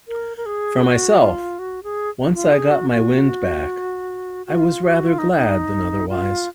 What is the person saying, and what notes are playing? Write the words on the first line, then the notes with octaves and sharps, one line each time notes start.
For myself, once I got my wind back, I was rather glad than otherwise.
A#4
A#4
G#4
F#4
F4
F#4
G#4
F4
G#4
F#4
F#4
F#4
F4
F#4
F4
D#4
D#4
F4